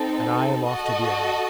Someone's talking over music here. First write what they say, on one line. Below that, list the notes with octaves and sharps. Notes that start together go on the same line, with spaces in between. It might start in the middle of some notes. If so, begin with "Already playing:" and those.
And I am off to the army.
Already playing: C4 D#4 A4
F#4 A4 D#5